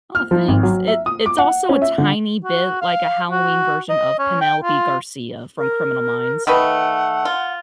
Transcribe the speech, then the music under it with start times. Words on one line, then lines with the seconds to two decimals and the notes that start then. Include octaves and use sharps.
Aw thanks. It it's also a tiny bit like a Halloween version of Penelope Garcia from Criminal Minds.
0.15 F6
0.31 F3
0.48 G#1
0.63 F#3
0.87 E5
1.06 D#6
1.26 D6
1.38 F#5
1.69 C#4
1.82 E5
1.98 D3
2.44 F#4
2.81 F5
3.31 F#4
3.89 D#5
4.19 C#4
4.41 G5
4.63 F4
5.58 A#4
6.47 D#3 A3 B4 F#5
7.25 F4